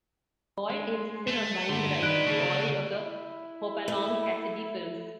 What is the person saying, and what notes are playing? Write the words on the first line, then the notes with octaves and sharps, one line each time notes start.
Boyd insisted on buying the rights to all of the Hopalong Cassidy films.
G#3
A3
G2 D3 D#4 C6
D#3 B4 D5 F#6 D7
C#3 A3 A#3
E4
A3